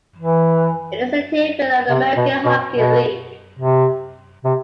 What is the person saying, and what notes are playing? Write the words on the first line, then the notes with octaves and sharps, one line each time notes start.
It is a tier below the American Hockey League.
E3
C3
B2
B2
B2
C3
C3